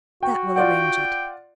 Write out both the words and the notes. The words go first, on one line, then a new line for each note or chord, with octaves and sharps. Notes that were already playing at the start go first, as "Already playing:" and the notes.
"That will arrange it."
F#4 G5
F4 D5 F#5 G5